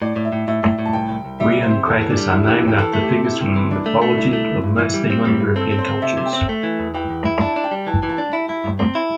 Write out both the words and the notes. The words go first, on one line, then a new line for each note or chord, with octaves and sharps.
Rhean craters are named after figures from the mythologies of mostly non-European cultures.
A2 D5
A2
E5
A2
A2 E5
A2
A2
A5
C2 G5
C2
C2
G3 E5
C2
C5
C3
E2 A4
E3
D4
G3
E2 E4
G4
E3
E2 G5
E3 A4
A3
G4
C3
C3 E4
C3
E3
C2 D4
A3
A3
C2 E4
A3
C2
G2
E3
G3
C4
G3
G2
C4 A4
C4
C5
C4
C3 E5
C3
G5
C4
A3
E3
E2
E3 G5
E2
E4
D4 A5
D4
G5
G3
E3 A5
E3
A5
D4
E4
E4
G2
C4
E4